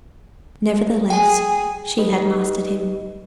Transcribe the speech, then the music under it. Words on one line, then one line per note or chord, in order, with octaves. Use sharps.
Nevertheless she had mastered him.
G#4 G5 G#5
D#4 G4 B4 D#5